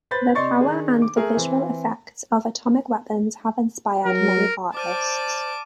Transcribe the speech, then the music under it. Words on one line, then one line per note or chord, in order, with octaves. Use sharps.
The power and the visual effects of atomic weapons have inspired many artists.
B4 C5 B5 G6 A6
C3 D5 D#5 C6 C#6 A6
D#3 D4 G#4
D6
A3 G#4 A#4
E3 C4
F#3 A#4
C5 D5 A5 D6 F6 D7 D#7